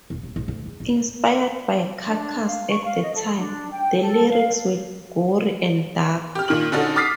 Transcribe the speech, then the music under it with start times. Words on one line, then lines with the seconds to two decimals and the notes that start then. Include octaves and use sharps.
Inspired by Carcass at the time, the lyrics were gory and dark.
0.10 E1
0.23 D#1
0.36 A#1
0.48 D2
0.66 E2
0.80 D#1
2.05 D4
2.45 F5
2.70 C#6
2.84 F5
3.01 D#5
3.15 A4
3.37 D4
3.72 G5
4.01 A4
4.28 F5
6.35 G4 F6
6.48 A#2 D#3 F6 F#7
6.72 D3 C#4 D#4 F#4 A4
6.96 D6 D#6 F6 A6 B6 C7